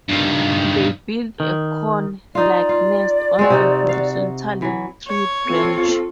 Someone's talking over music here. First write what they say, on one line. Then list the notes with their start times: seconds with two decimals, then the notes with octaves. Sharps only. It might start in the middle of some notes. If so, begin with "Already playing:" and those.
They build a cone-like nest on a horizontal tree branch.
0.09 G2 D#3
1.40 D#3
2.35 D#4 F4 D5
2.69 F4
3.39 G#3 C4 F#4
3.50 C3 D#4 F#4
3.89 F#4 F5
4.62 E3 F#3
5.08 C#5
5.45 C4 F4 A4